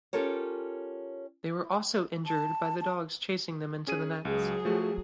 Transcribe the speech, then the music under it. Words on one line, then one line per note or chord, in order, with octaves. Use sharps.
They were also injured by the dogs chasing them into the nets.
C#4 F4 G4 A4 A#4 C#5
A5
A5
C#4 G#4 D#7
C#2 F#3 G#4
F3 A3 F#4